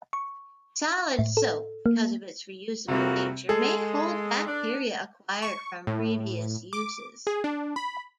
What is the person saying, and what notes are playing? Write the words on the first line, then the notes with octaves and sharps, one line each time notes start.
Solid soap, because of its reusable nature, may hold bacteria acquired from previous uses.
C#6
A2
A4
A#3
F2 C3 G3 A#3 F#4
G#3 G#4 A4
D4
C#6
A2
D6
G#4
D4
B5